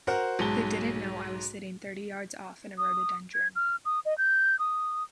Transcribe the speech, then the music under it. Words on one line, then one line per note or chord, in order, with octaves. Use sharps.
They didn’t know I was sitting thirty yards off in a rhododendron.
F#4 A#4 C5 F#5
B1 G#2 A5 G7
D#6
G#6
F6
D#6
D#5
G6
D#6